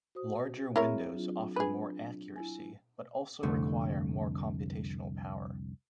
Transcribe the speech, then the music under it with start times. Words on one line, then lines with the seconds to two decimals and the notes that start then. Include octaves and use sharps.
Larger windows offer more accuracy but also require more computational power.
0.15 F#4 C5 D#6
0.76 C4 E4 G#4 A#4 C#5
1.13 F#3 D4 F4
1.56 D4 G#4 B4
2.36 E4 G#5
3.43 C2 F2 D3 A3